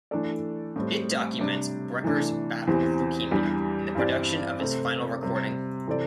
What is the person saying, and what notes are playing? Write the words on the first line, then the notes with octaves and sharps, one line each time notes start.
It documents Brecker's battle with leukemia, and the production of his final recording.
E3 A3 D4 A4 D5
A2 G3 C4
C3 G3 D4
C3 E3 A3 D4
E2 E3 C4 G4
E2 E3 G3 D4 G4
G2 E3 C4 G4 D5
C3 A3 C4 A4
C3 G3 C4
C3 E3 C4 A4 D5